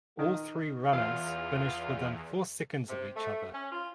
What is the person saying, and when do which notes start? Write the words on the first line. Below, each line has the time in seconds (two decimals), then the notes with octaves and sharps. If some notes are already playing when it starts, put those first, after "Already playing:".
All three runners finished within four seconds of each other.
0.19 D#3
0.93 E2 F4 F5
2.89 C3
3.15 A3
3.53 C#4
3.72 F4